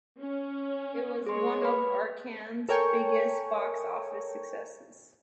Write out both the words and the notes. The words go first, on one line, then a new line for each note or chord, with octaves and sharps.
It was one of Arcand's biggest box office successes.
C#4
G#3 G#4 C#5 C6
B4 B5
A4 A#4 C#5 G5 G#5 C#6